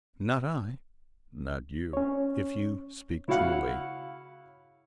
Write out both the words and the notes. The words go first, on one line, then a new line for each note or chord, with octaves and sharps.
Not I. Not you, if you speak truly.
C#4 C#5
C#3 E4 F#4 F5 F#5